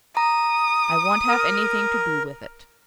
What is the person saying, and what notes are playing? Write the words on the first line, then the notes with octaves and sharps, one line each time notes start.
"I won't have anything to do with it."
A#5 D#6
A#4